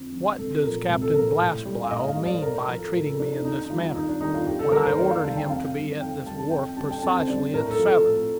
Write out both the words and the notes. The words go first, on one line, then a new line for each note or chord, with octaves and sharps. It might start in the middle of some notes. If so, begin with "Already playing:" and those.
"What does Captain Blastblow mean by treating me in this manner, when I ordered him to be at this wharf precisely at seven?"
Already playing: F2 D3 F3
D3 F3
C2 A4
A#2 F3 A#4
C2
A4
A#2 F3 A#4
C5
A2
G3
F5
A2 D#5
F5
G3
D5
C5
A2 A#4
F3
A4
A2 A#4
A4
F3 D4
D#4
D#2 D#4
D#4
D#3 G3 F4
D#2 D#4
D4
D#3 G3 D#4
F4
D#2 G4
A4
D#3 G3 A#4
C5
D#2 D5
F5
D#3 G3 A5
G5
F2 F5
D#3 G3
F2 G5
D#3 G3 A5
A5
F2 G5
D3 G3 A5
G5
F2 A5
C5
D3 G3 D5
A2 A#4
A4
F3
A4
A2 A4